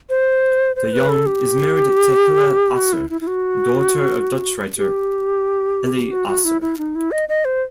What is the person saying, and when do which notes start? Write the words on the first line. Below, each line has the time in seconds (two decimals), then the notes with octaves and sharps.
De Jonge is married to Hella Asser, daughter of Dutch writer Eli Asser.
0.09 C5
0.76 C5
0.93 B4
1.09 A4
1.26 G4
2.77 F#4
2.93 E4
3.10 E4
3.21 E4
3.27 F#4
4.77 G4
6.11 F#4
6.28 F#4
6.44 E4
6.61 E4
6.78 D#4
6.95 E4
7.11 D#5
7.29 D#5
7.45 C5